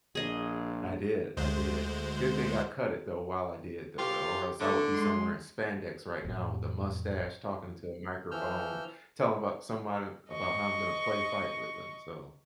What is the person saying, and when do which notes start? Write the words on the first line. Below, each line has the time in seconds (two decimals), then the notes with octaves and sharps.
I did, I did, good thing I cut it, though, while I did, though, or else I would be somewhere in spandex right now with a mustache, talking into a microphone, telling about somebody about how I'm gonna play fight with them, so
0.15 A#1 G#4 D#5
1.37 D2 G#3 C5
3.98 F4 G4
4.60 D3 A3
4.94 G#3 C6
6.24 A1 F2
8.31 E3 F3 E6 F6 G6
10.29 D#5 C#6